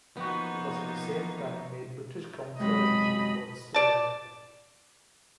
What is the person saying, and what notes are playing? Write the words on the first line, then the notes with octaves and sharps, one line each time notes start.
He was at the same time made British consular agent for the Sudan.
F3 A#3 B3 D#4 F4 F#4 G5
F#2 C3 G#3 D#5 B5
D5 A5